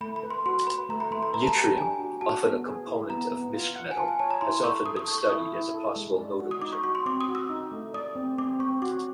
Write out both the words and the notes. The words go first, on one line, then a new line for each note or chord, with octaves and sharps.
Yttrium, often a component of mischmetal, has also been studied as a "possible nodulizer".
A3 B5
B5
B4
C6
F#4 C6
B4 B5
A3 A#5
B5
A3 C6
B5
B4 A#5
A5
A#5
G4
A5
D4 G#5
F#4
F#4 A5
B3
G#4
E4
B3 A#5
B3
F4
F#5
G#5
F4 A5
G#5
C#5 A5
A#5
E4 C6
A4 C#6
A4 D#6
D#6
A4 C#6
C#6
E4 D#6
E4
A4
G#3
D5
F#4
D#6
D#4 D6
C#6
F#4 C#6
C6
C4 D6
D#6
F#4
E6
D#4
A3
D5 D#6
C4
C4 D6
C4 C#6
F#4 D6